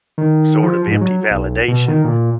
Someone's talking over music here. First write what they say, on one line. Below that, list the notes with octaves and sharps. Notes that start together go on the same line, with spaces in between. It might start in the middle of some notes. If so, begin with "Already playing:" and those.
sort of empty validation
D#3
F3
G#2
F#3
B1
B2
D#3
A#2